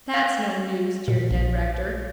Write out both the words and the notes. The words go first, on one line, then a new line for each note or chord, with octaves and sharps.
"That's no news," jeered Ned Rector.
F5
A#2
A#1